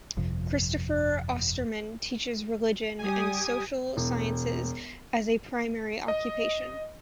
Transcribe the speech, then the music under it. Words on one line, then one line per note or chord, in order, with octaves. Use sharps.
Kristoffer Osterman teaches religion and social sciences as a primary occupation.
G1 F2 C3 F3
G3 G4 G#5 D#6
E1
D#5